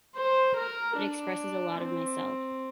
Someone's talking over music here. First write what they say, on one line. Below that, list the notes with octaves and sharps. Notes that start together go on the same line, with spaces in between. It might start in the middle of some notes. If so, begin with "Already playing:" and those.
It expresses a lot of myself.
C5
A#4
D4
C4